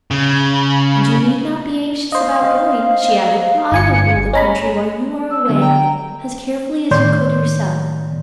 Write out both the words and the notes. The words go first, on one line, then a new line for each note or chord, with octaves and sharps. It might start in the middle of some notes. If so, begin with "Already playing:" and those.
'And you need not be anxious about going,' she added, 'for I will rule the country while you are away as carefully as you could yourself.'
C#3
C5 D#5 F5
G1 G#5 C#7
C#4 D#5 A#5 B5
E6
D3 F#3 B3
G5 A#5
A2 D#3 C#5 D5 C6 G6